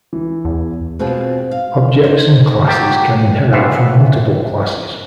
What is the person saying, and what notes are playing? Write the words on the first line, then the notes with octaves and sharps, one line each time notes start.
Objects and classes can inherit from multiple classes.
E3
E2
B2 C4 F4 G#4 G5
F5
D#4 G4 C5
F#3 A#3 G4 A5
A#1 A2 E3 F4 E5 F#5